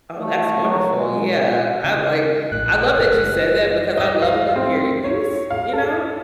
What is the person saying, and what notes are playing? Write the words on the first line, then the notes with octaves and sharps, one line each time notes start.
Oh, that's wonderful. Yeah, I like I love that you said that because I love a good period piece, you know,
A3
F#3
G#3
A#2
C#3
A#1 A2 F#6
F#1
D#5
F5
C4
C#5
F5
A4